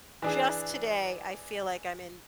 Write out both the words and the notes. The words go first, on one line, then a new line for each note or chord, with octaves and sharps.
just today, I feel like I'm in
E3 D4 G#4